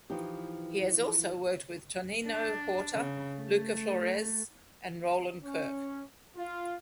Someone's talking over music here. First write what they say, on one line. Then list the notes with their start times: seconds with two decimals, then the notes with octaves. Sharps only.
He has also worked with Toninho Horta, Luca Flores and Roland Kirk.
0.10 E3 F3 D#4 G4
2.26 D4
2.93 C#3
3.38 A3
5.44 C#4
6.37 F4